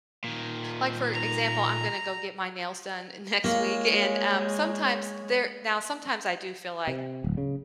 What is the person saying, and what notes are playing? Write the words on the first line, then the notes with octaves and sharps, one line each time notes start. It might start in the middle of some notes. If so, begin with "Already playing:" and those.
Like, for example, I'm gonna go get my nails done next week and, um, sometimes there now sometimes I do feel like,
A#2 D#3
A#5
G#3 A#3 F4 A#4 C#5 F5
C3
D1
C#3